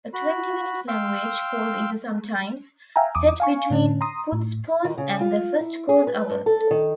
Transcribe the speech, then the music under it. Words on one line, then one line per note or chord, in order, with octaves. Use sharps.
A twenty-minute language course is sometimes set between Putzpause and the first course hour.
F#4 B5
F5 G5 C6 E6
E5 F5 G5 G#5 A#5
E2 D6 D#6
F5 G#5 C#6
A2 D3 C#4
A#5 C6 D#6
A2
D#3
C#3
F4
E4
G#4
B4
G2
A4
D#3